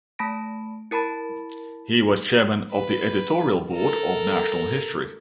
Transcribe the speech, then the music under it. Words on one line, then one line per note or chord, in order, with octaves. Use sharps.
He was chairman of the editorial board of "National History".
A3 A5 B5 A#6 D7
E4 A#4 A5 B5 A6
B4
A4 A#4